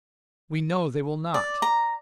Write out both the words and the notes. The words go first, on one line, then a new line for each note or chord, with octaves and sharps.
We know they will not.
D5
A#5